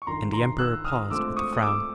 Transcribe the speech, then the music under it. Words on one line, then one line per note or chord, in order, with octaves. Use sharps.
And the Emperor paused, with a frown.
C#6
G1 G2 D#3 A#5 C6
A#5 C6
E6 F#6
D#6 F6
D2 D3 F3 G#3 C4 D6 E6
C#6 D#6
D#6
D6 E6